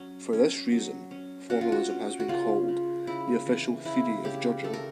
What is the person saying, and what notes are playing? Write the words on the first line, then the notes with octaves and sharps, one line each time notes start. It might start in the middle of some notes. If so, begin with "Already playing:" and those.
For this reason, formalism has been called 'the official theory of judging'.
Already playing: F#3 C#4
C#4
F#3
C#4
C#4 F#4
F4
F#4
C#4
F#4
C#3 F4
C#3
C#3 E4
E3
C#3 E4
C#3 G4
A3 A4
A#4